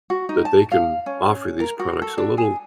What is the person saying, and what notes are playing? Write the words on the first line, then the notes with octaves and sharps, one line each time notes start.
that they can offer these products a little,
F#4
D#4
A5
F5
C#4
A#4
F#4
A4
D4
G#4